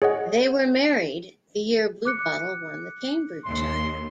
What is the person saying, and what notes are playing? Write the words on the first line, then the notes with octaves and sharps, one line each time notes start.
They were married "the year Bluebottle won the Cambridgeshire".
G#4 C#5 D#5 F#5
D6 F#6 C#7
D#2 C6